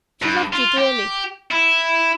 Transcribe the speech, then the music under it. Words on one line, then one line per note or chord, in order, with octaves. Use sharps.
She loved yo' dearly.
G2
F4
G4
E4